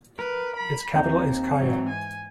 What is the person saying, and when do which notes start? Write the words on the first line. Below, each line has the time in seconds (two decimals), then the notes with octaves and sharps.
Its capital is Kaya.
0.19 A#4 B4
0.56 B5
0.95 D#2 C4 A#5 G6
1.58 G#2 E3 F#3
1.89 G#5